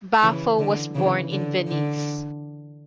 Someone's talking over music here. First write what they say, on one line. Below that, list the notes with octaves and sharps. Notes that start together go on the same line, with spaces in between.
Baffo was born in Venice.
C#3 E3
D3
C#3 E3
D3
D3